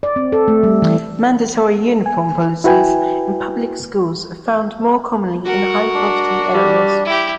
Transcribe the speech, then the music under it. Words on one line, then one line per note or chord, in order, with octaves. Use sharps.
Mandatory uniform policies in public schools are found more commonly in high-poverty areas.
D5
C4
A4
A3
G3
E3
G#5
E4 F#4 B4 G5 G#5
F#4 A#4 F#5
D4
G3
E4 G4